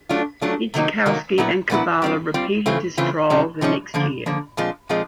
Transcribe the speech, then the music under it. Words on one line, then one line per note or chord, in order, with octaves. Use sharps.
Idzikowski and Kubala repeated this trial the next year.
F#3 A3 D4 F4
F#3 A3 D4 F4
C3 D#3 F#3 A#3 D#4
C3 D#3 F#3 A#3 D#4
A#2 F#3 B3 E4
A#2 F#3 B3 E4
G3 C4 F4
G3 C4 F4
C#3 E3 A3 C4 F4
C#3 E3 A3 C4 F4
C3 F3 G#3 C#4
C3 F3 G#3 C#4
D3 F3 A#3
D3 F3 A#3
A#2 F3 G#3 C4 F4
A#2 F3 G#3 C4 F4